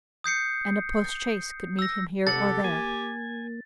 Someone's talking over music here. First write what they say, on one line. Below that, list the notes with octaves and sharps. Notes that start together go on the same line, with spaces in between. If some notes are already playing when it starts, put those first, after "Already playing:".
And a postchaise could meet him here or there.
D#6 G6 C7 C#7
E6 A#6
C3 G4 A4 F#5 A6
A#3 G#5